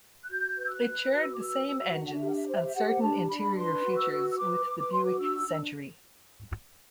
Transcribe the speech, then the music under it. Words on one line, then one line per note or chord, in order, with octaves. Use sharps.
It shared the same engines and certain interior features with the Buick Century.
F#6
F#4 G6
B4
E6
F#6
B4
F#4 F#6
E6
D6
B4 E6
F#4
D4 F#5
F#5
E5
G4
F#5
E5
C5
E5
E5
G4 F#5
D4 A5
D4 B5
B4 C6
F#4
E6
B4
E6
B4 D6
B4
D6
F#4 C6
D6
D4 E6
D4